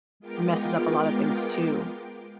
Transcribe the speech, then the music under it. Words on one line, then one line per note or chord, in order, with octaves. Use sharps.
messes up a lotta things, too.
G#3 B3 F4 A#4 G5 D6